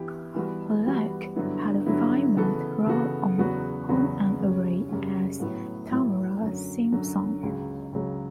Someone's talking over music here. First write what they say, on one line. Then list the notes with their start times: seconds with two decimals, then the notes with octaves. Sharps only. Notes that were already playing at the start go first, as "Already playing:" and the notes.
Luck had a five-month role on "Home and Away" as Tamara Simpson.
Already playing: E3 B3 E4 G4
0.35 E3 G3 B3 F#4
0.85 E3 G3 B3 F#4
1.36 G2 D3 F#3 B3 E4
1.86 G2 D3 F#3 B3 E4
2.37 C#3 E3 B3 F#4 A4
2.87 C#3 E3 B3 F#4 A4
3.38 E2 C#3 F#3 B3 F#4
3.89 E2 C#3 F#3 B3 F#4
4.39 F#2 C#3 G3 C#4
4.89 F#2 C#3 G3 C#4
5.40 A2 F#3 B3 E4
5.91 A2 F#3 B3 E4
6.41 F#2 D3 F#3
6.92 F#2 D3 F#3
7.43 C#2 C#3 F#3
7.93 C#2 C#3 F#3